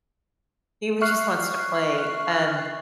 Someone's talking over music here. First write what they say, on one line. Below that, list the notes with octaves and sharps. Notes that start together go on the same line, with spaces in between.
He was just wants to play. Um,
E5 C#6 F6 F#6 C7